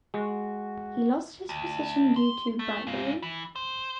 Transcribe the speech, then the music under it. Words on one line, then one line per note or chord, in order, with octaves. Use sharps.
He lost his position due to bribery.
G#3 F#4
D2
C6
A3
G#2 F4
E3
C5